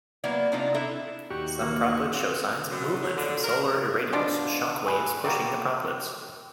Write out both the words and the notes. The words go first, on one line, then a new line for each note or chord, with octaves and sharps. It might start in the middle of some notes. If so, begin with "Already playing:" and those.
Some proplyds show signs of movement from solar irradiance shock waves pushing the proplyds.
F#3 A#3 B3 E4 D5
C3 D4 D#4 F4
D4 E4 A4 E5
D#2 F#4 G4 C#6
A#3
C4 F#4
F#2
F#3
D3
A#4
B2 F3 D4 F4
G#4 B4
G3 A#3 F#4 G4